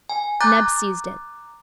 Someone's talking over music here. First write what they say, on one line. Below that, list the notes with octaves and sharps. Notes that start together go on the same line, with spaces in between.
Neb seized it.
G#5
A#5 D6 F#6 G6 A6